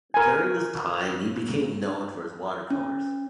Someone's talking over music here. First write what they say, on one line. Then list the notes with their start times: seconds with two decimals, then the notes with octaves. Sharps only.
During this time he became known for his water colours.
0.14 A#4 G#5
2.70 C#4